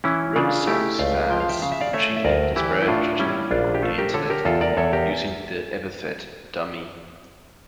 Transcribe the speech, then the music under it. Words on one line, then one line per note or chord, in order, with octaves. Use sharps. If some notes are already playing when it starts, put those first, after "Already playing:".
Red Sox fans routinely disparaged him on the Internet, using the epithet Dumy.
E3 C#4 E4
C#3 D4 F4
A3 E4 G4
C#2 D5 F5
F3 G5
F5
E5 G5
C#3 F5
E5
D5 F5
A3 C#5 E5
E5
D2 A#4 D5
E3 E4 G4
E4
A2 D4 F4
G3 C#4 E4
A#1 D4 F4
G4
A3 F4 A4
G4 A#4
D3 A4 C#5
G4 A#4
E2 F4 A4
A#4 D5
E2 A4 C#5
G4 A#4